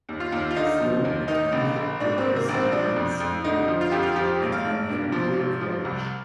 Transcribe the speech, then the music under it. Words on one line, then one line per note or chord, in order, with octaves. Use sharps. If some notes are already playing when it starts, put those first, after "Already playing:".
Sloan attended The Ursuline School and Manhattanville College.
D#2
F4
D#2
F4
D3 D#4
F3
D#2
D#3 D#4
A#1
A#1
G#2 D4
C4
D#3
A#3
A#1
C4
F3 D4
F2
F2
D3 D#4
F3
F4
F2 G4
F4
F3 G4
G#1
F5
G#1
G2
F3
G#1
F3
C2